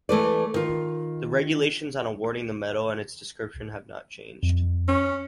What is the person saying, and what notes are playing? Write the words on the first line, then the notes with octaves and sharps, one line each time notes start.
The regulations on awarding the medal and its description have not changed.
E3 A3 B4 D5
D#3 F4
F2
C#4